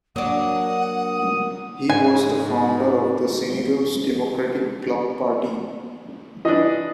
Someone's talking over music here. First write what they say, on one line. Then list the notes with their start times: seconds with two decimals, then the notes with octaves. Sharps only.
He was the founder of the Senegalese Democratic Bloc party.
0.16 F#3 A#3 D4 A#4 F#5 D#6
1.90 G#2 G#5
6.45 E3 D4 D#5